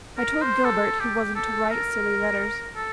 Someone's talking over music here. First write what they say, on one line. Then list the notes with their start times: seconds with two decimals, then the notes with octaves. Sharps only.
I told Gilbert he wasn't to write silly letters.
0.17 A#4
0.41 C5
0.65 A4
1.00 G4
1.35 A4
1.70 A#4
2.76 A4